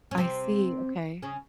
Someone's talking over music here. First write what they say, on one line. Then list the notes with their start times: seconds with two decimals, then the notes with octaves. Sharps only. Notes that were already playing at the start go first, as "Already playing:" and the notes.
I see, okay.
0.11 C#4
0.18 C3 C4
1.23 C#3 C#4